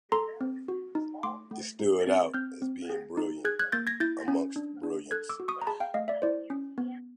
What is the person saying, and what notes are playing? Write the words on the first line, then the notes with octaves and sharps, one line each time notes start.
It stood out as being brilliant amongst brilliance.
A4 A#5 C6
C4
F#4
D#4
A3 C6 D6
A3
D#4
C4
C4 F6 G6
C4
G#4
D#4
G#4 F#6 G#6
F#6 G#6
A#3 G6 A6
G#6 A#6
E4 G6 A6
C#4
D4
D4
A4 F#6 G#6
D6 E6
F#4
C#6 D#6
A#5
G#4 A5 B5
F5 G5
A3 D#5 F5
D5 E5
E4 C5 D5
C#4
B3